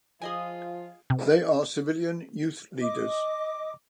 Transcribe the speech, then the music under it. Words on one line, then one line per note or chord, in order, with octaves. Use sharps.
They are civilian youth leaders.
F3 F4 G#4 D#5 G#5
C3
D#5 D6